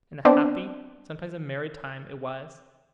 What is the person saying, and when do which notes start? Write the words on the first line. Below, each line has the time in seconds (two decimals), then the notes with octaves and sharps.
And a happy, sometimes a merry time it was.
0.25 B3 C4 D4 D5